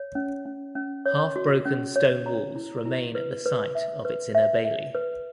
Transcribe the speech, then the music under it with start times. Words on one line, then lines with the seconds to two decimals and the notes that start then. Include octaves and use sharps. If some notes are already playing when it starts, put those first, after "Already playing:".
Half broken stone walls remain at the site of its inner bailey.
Already playing: C#5
0.15 C#4
0.46 C#4
0.75 C#4
1.06 C#5
1.36 F#4
1.66 C#4
1.96 C#5
2.26 A#5
2.56 E4
2.86 E4
3.15 B4
3.46 B4
3.75 E5
4.05 B4
4.35 E5
4.65 E5
4.95 B4